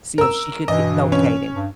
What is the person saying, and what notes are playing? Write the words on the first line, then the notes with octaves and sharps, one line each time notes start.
see if she could g locate him.
A#4 E6
G2 B2 E3 D#5
C#4
G2